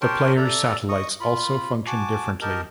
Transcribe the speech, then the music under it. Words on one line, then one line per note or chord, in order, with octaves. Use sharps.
The player's satellites also function differently.
G4 A#4 C#5 G5 A5 C6
A4 D5 E5 A#5
D#5 C#6 D#6
F4 B5
F#4 G#5 A5 D6
G4 A#4 D#5 A5